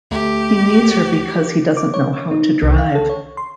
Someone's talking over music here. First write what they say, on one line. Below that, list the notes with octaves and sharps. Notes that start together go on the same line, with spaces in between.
He needs her because he doesn't know how to drive.
D2 A3 G4
D6
C#5
D#4
C2
F5
A4
C#5
C6